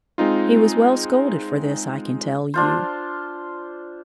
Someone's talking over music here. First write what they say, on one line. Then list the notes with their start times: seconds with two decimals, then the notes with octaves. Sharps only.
He was well scolded for this, I can tell you.
0.18 G#3 C4 D#4 F4
2.54 D4 F4 C5